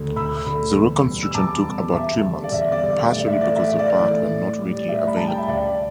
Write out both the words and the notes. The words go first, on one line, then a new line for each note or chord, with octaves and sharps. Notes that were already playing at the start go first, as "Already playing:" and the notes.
The reconstruction took about three months, partially because the parts were not readily available.
Already playing: D2 D3 A3
D2 B5 E6
D3 A3
E2
B2 G3
E6
E2 A5 D6
B2 G3
E2 E5 A5
D3 G3
D5
E2 E5
D5
D3 G3
A2 D5
E5
E3 A3 D5
E5
D5
A2
D5
E3 A3
A2
G3
A2 E5
B5
G3 A5
G5
E5
D2 D5